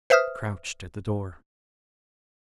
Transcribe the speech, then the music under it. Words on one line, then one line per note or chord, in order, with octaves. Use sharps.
Crouched at the door.
B4 C5 E5 D#6 F6